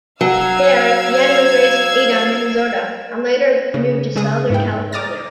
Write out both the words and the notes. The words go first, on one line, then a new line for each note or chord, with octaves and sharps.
There, Yenn was raised in Ada, Minnesota, and later moved to Southern California.
F#3 F5 E6 G#6
C#3
C#3 G#3 G#4 D#6
G#2 E4 G5
A#5 D6 D#6 F6 A6 A#6